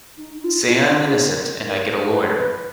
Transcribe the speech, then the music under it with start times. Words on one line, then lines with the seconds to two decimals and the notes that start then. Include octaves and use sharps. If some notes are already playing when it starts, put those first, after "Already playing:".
Say I am innocent and I get a lawyer.
0.17 D#4
0.38 D#4
0.44 F4
0.65 F4
0.86 C#4
1.07 G#4
1.27 A#4
1.69 A#4
2.11 B4
2.39 B4